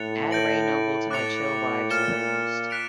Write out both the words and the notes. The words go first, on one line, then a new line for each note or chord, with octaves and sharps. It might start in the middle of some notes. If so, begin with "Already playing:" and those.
Add Ray Noble to my Chill Vibes playlist.
Already playing: A2 F#6 A6 C#7 F7
G6 A#6 D7 F#7
A2 D6 F#6 A6 C#7 F7
A#2 F6 A6 C#7 E7 G7
F#6 B6 D7 F7